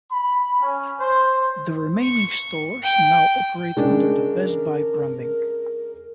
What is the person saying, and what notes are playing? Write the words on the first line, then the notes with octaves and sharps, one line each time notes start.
The remaining stores now operate under the Best Buy branding.
B5
C#4
C5
C#6
G5
C#3 G#3 D4 A#4